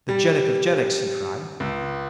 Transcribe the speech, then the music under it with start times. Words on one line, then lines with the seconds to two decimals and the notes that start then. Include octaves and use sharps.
"The Jeddak of Jeddaks!" he cried.
0.09 G3
1.60 C#2